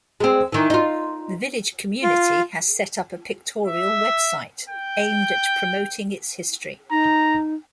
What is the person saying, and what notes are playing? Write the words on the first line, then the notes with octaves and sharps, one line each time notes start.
The village community has set up a pictorial website, aimed at promoting its history.
G#3 C4
D#3 E3
D#4 F4
F4
E5
G5
D#4 A#5